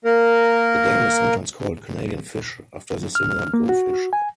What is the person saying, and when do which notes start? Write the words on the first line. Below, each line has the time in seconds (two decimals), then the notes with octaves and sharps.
The game is sometimes called Canadian Fish, after the similar Go Fish.
0.05 A#3 A#4
3.15 F6
3.54 A#3
3.69 F#4
4.13 G#5